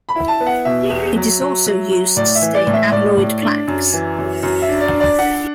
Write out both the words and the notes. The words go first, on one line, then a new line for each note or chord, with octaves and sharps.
It is also used to stain amyloid plaques.
B5
E4
A5
B3
F#5
B2 E5
E2
F#3
F#3
F#3
F#3
A2 D5
E5
E3
D5
A2
E5
A2 D5
A2
D4
F#2
E3
F#2
F#2
E5
D4
D5
D4
D5
D4 F#5